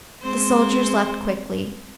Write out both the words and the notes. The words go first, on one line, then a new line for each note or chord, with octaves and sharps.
The soldiers left quickly.
G#3 C4 C5